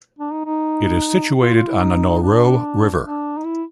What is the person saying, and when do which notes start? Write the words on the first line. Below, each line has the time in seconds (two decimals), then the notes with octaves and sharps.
It is situated on the Noireau River.
0.19 D4
0.32 D#4
0.46 D#4
1.41 F4
1.54 F4
1.68 E4
1.82 D#4
2.22 D4
3.04 D4
3.37 D#4
3.45 E4